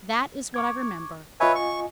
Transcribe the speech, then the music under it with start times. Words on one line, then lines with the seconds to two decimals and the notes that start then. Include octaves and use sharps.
That is what I remember.
0.54 C#6 D6 G#6
1.40 F4 B4 C#5 D#5 E5 G#5
1.55 C#6